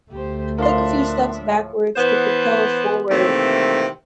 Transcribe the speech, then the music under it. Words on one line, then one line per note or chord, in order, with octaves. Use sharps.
take a few steps backwards to propel forward
D2 A3 G4 C5
A2 F3 D4 A#4 E5 C6
E3 B3 C5
C3 D#3 E3 A3 A#3 C4